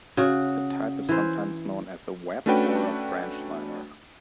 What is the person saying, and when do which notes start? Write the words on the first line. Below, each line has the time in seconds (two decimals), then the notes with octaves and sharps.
The type is sometimes known as a Webb or a Branchliner.
0.17 C#3 F#4
1.09 E3 C5
2.46 A3 C#4 D4 F#4 B4 G5